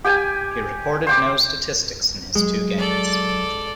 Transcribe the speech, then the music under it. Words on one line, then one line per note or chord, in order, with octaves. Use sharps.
He recorded no statistics in his two games.
G4 G5 G#5
C5 G5 D6
F#3 G#3
A4 D5